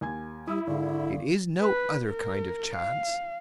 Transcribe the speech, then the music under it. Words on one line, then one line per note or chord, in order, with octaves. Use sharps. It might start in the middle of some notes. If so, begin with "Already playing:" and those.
It is no other kind of chance.
D#2 G#5 G#6
G3 E4 D#6 E6
G#1 D3 G#4
B4
A#4
F5